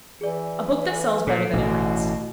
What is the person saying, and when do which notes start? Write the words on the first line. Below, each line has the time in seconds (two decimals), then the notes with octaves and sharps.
A book that sells better than it reads.
0.21 E3 G#4 D5
0.92 A4
1.27 A#2 A4
1.53 A1 B2 D3